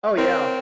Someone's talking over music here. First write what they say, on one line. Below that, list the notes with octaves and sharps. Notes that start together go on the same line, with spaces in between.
Oh yeah,
C4 A#4 C#5